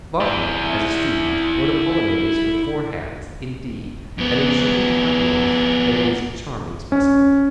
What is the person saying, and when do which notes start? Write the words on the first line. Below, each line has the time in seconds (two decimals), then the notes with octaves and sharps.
Wagner, as a student, wrote a Polonaise for four hands, in D, and in Schumann's Papillons there is a charming specimen.
0.20 E4 D5
4.18 F2 B3
6.92 C#4